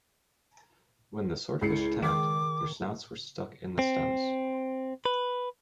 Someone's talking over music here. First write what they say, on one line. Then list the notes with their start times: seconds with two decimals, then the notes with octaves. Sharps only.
When the swordfish attacked, their snouts were stuck in the stems.
1.61 C#2 E4 C7 C#7
2.02 D#3 D6
3.79 C4
5.05 B4